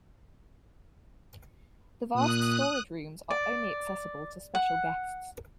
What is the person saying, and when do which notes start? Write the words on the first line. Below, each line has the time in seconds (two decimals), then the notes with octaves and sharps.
The vast storage rooms are only accessible to special guests.
2.15 A#2 D#6 F#6
3.30 D5
4.55 F#5